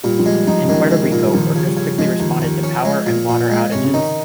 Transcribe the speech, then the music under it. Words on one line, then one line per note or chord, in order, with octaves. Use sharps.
In Puerto Rico, workers quickly responded to power and water outages.
A#2 G3
F3
G3 G#3
F3 D#4
C#3
D#3 G#3
G#3
D#3
A#2
G3
D#2 F3
C#3
G3
C#3
F3 G#3
D#2
D#2
C#4
G#3
A#2
A#2
G#3
C3 C#4
C#3
D#3 D#4